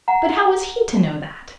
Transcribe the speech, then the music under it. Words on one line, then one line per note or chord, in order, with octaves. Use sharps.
But how was he to know that?'
F#5 A#5